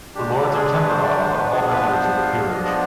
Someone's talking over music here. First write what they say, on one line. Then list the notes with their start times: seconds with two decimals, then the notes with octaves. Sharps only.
The Lords Temporal are all members of the Peerage.
0.15 D3 G#3 D4 G4
0.35 G4
0.54 G#4
0.74 B4
0.88 C5
1.04 D5
1.18 C5
1.32 F3 B3 D4 B4
1.53 G#4
1.72 B4
1.92 C5
2.21 F5
2.50 F3 B3 D4 D#5
2.65 D#5